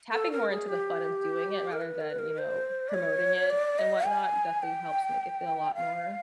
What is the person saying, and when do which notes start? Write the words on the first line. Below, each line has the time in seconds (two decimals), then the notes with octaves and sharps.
Tapping more into the fun of doing it rather than, you know, promoting it and whatnot, definitely helps make it feel a lot more
0.13 A4
0.32 A#4
0.50 G#4
0.69 G4
1.72 A#4
1.81 B4
2.01 A#4
2.10 B4
2.19 A#4
2.38 C5
2.89 D5
2.94 C#5
3.50 D5
3.79 D#5
4.06 G#5
4.63 G5
5.75 F5